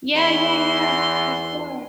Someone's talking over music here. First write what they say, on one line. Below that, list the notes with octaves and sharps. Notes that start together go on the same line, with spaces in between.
Yeah, yeah, yeah. For sure.
E2 C6